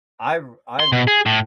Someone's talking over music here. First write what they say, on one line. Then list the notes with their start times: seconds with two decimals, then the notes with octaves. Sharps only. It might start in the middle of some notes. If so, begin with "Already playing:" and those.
I ru I've
0.80 C6
0.92 B2
1.07 G#4
1.26 A2